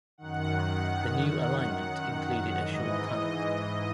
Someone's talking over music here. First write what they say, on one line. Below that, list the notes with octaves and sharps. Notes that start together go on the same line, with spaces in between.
The new alignment included a short tunnel.
F#2 D#3 F#5
G#2 E3 D#5